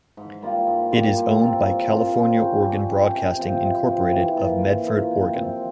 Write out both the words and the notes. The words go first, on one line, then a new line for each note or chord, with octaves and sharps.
It is owned by California Oregon Broadcasting, Incorporated of Medford, Oregon.
G#2
G3 A#3 F4
G#2
G3 A#3 F4
G3
C4 F4 A#4
G3
C4 F4 A#4
G3
C#4 G4
G3
C#4 G4
C3
F3 C4 G4
C3
F3 C4 G4
E3
A#3 F4
E3
A#3 F4
C3
F3 C4